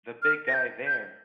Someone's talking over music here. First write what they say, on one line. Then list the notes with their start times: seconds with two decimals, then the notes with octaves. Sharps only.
The big guy there!
0.22 F6
0.47 A#6
0.54 G6
0.86 G6